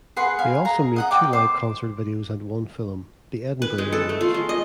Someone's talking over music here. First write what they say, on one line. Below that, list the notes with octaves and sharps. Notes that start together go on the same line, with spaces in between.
They also made two live concert videos and one film, "The Edinburgh Years".
G#4 B4 F#5 C6
F5 G#5
G#4 A#5
D#5 F#5 A#5
D#5 G5 D6
C5 D6
B4
G#3
A4
A3
F4
G#3
D#5